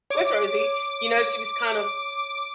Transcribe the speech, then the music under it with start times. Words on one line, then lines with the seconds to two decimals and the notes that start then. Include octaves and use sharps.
Where's Rosie?" You know, she was kind of,
0.10 C#5 D6